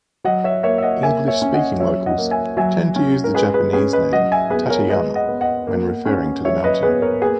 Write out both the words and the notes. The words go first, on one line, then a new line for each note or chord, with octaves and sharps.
English-speaking locals tend to use the Japanese name Tateyama when referring to the mountain.
F#3 D#5 F#5
C#5 E5
A#3 C#5 E5
E5
D#5 F#5
A#3 E5 G#5
C#5 E5
C#4
D#5 F#5
F#3 C#5 E5
D#5 F#5
A#3
E5 G#5
F#3 E5 G#5
C#4
A#4
G#3 G#4 B4
G#4 B4
C#4 G#4 B4
B4 D#5
F#3 D#5 F#5
E5 G#5
B3 G#4 B4
A#4 C#5
G#3 B4 D#5
D#5 F#5
B3
D#5 F#5
A#3
C#4
F#3 C#5 E5
B4 D#5
B3 G#4 B4
A#4 C#5
A#3 G#4 B4